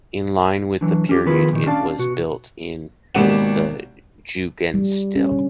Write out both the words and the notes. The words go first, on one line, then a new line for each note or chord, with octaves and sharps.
In line with the period it was built in the Jugendstil.
D3 E3 F#3
C#4 G4
D#3 F3 B3 F4 G#4 B4
A#2 D#3
C#4 D4 D5 F5 A5
B2 F#4
G#1 B2 A#3 G4 F#5 E7
G3
C#4
D3